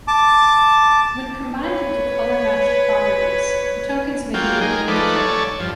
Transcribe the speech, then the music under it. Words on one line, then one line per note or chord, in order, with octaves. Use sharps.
When combined into color-matched properties, the tokens may be redeemed for money.
A5 D6
B4 C#5
F#3 A#3 F4 G5
D#4 G#4 A#4
F3 A3 D#4 B4 D5
A4 C#5 D5
G2 F3